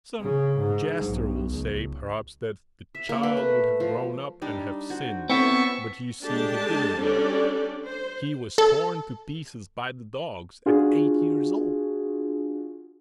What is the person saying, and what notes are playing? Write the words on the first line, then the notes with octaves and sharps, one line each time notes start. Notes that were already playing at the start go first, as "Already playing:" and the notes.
Some jester will say, perhaps, that the child would have grown up and have sinned, but you see he didn't grow up, he was torn to pieces by the dogs, at eight years old.
C#3
G#2
B1
C#2
E5
A#3
B4
A3
F3
G3 D4 D#4
F#4 C5
B3 C4 E4 A4 C#5 E5 C#6
G#3 D4 G4 A4 A5
G3 C#4 D4 G4 A4 D5
C5
A4
D4 F4 F#4 G#4